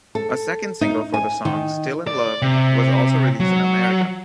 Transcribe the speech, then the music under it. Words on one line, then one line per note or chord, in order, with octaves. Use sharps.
A second single for the song "Still in Love" was also released in America.
A4
D#4
G#5
D#3
D5
C3
F#3